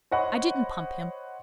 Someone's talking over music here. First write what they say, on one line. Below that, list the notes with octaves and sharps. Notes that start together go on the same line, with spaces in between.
I didn't pump him.
C5 C#5 D#5 F#5 B5 C#6